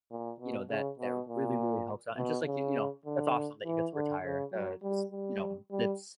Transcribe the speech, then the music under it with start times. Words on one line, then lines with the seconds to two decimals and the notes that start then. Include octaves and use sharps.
you know, that that really, really helps out, and just, like, you you know, that's awesome that you get to retire, uh, just you know, it's
0.11 A#2
0.40 B2
0.69 C#3
0.99 B2
1.29 A#2
2.17 B2
2.47 C#3
3.06 D3
3.65 E3
3.94 D3
4.24 C#3
4.52 F#3
4.82 G3
5.12 G3
5.71 G3